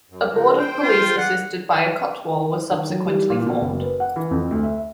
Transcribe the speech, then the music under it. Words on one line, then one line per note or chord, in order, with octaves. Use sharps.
A Board of Police assisted by a Kotwal was subsequently formed.
F#2
C#3 F3 G#3
C5 G5
F4
A#3 F#5
D#3
F#3
G3
A#2
B2
F#1
B4
F#5
E3
F2
D2
E5